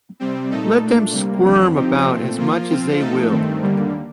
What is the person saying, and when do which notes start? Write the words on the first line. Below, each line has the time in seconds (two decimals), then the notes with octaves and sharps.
Let them squirm about as much as they will.
0.20 C3 G3 C4
0.50 A#2 A3 D#4 A4
0.82 A#2 A3 D4
1.13 C3 G3 A#3
1.44 F2 D3 F3 C4
1.75 F3 C4 D#4 G4
2.06 A#2 A3 C4
2.37 F3 A#3 F4
2.68 F3 C4 F4
2.99 F3 A3 D#4 A4
3.31 G2 D#3 A3 C4
3.62 D#2 D3 G3 A#3